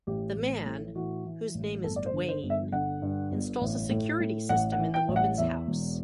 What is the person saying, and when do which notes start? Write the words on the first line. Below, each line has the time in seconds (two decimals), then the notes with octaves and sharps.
The man, whose name is Duane, installs a security system in the woman's house.
0.07 A1 G4
0.36 A1
0.66 A2
0.95 E3 F#4
1.25 E3
1.55 A1
1.84 G1 A4
1.96 D5
2.06 C5
2.14 D3
2.29 C5
2.43 G1
2.50 E5
2.72 D3 F#5
3.02 G2
3.31 G1
3.61 A1
3.91 A2
4.20 A2
4.49 A1 F#5
4.72 F#5
4.79 E3
4.94 G5
5.08 A1
5.16 F#5
5.38 E2 E5
5.68 E1